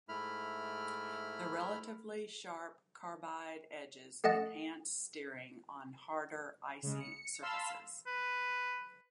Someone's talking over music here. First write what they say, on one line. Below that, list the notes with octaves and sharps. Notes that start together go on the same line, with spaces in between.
The relatively sharp carbide edges enhance steering on harder icy surfaces.
G#2 A3 E4 B5 F6
A3 D#5 F#5 A5
C#3 G#3
C#7
F5 A5 B5 C6 E6
B4